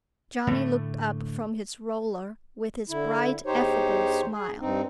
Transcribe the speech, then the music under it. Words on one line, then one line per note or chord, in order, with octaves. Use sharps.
Johnny looked up from his roller with his bright, affable smile.
A2 D3 A3
D3 E4
E2 D#4 G4 C5 C#5
G#4
G2 C4 D#4